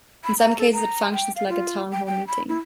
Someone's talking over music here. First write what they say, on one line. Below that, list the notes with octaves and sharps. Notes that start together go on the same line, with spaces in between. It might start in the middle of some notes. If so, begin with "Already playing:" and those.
In some cases it functions like a town hall meeting.
B5
A#5
A4
A#5
G5
F5
F4
G5
G5
B5
E4